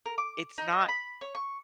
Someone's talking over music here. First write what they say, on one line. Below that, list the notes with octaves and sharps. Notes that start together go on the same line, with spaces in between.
it's not
A#4
D6
D#4
D#5
B5
C#5
C#6